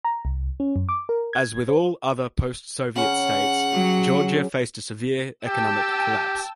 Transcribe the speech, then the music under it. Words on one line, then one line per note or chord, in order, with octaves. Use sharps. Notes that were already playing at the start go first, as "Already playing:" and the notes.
As with all other post-Soviet states, Georgia faced a severe economic collapse.
A#5
C2
C#4
F#2
D6
A#4
G#6
C5
C#3 C#4 C5 F#5
F#3 G4
G4 G5 A5 E6